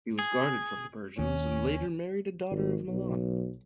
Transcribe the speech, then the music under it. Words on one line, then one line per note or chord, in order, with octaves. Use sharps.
He was guarded from the Persians, and later married a daughter of Milon.
G#4
D#2 C#4
G#1
B1